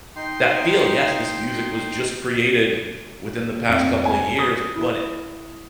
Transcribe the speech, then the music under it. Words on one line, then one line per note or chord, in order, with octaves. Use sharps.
that feel, yes, this music was just created within the past couple a years, but it
D#4 G5 C6
F1
G#5
D#6
E4